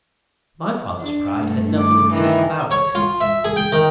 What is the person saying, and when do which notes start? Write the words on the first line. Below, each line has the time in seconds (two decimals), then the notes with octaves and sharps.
My father's pride had nothing of this about it.
1.00 D4
1.37 G2 A3
1.78 D6
2.12 D#3 E3
2.71 C#5
2.95 F4
3.21 E5
3.44 G#4
3.56 G5
3.72 D#3